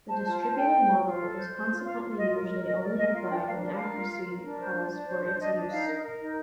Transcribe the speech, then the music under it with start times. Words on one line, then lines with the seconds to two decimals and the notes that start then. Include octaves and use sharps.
The distributed model is consequently usually only applied when accuracy calls for its use.
0.08 C5 A5
0.24 F4 A5
0.40 C5 A5
0.50 A5
0.56 A4 G5
0.73 C5
0.88 F4
1.05 F4
1.21 A4
1.36 C5
1.53 C5
1.70 F4
1.85 F4 F5
2.02 F4
2.17 F4 D#5
2.33 A#4
2.49 A#4 D#5
2.65 A#4 D#5
2.81 A#4 D5
2.97 A#4 D#5
3.13 F4 F5
3.29 D4 G5
3.46 A#4 F5
3.62 D4 D5
3.77 A#4 F5
3.95 F4
4.10 A#4
4.27 A#4
4.42 D4
4.58 C5
4.75 D4
4.91 D4
5.06 C5
5.23 D4
5.38 D4 D#5
5.55 D4
5.72 D#4 F5
5.87 A#4
6.03 A#4
6.20 D#4